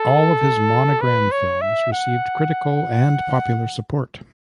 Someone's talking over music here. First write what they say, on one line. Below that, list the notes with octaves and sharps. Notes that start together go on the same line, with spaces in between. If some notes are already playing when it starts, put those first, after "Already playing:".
All of his Monogram films received critical and popular support.
Already playing: A4
B4
C#5
E5
F#5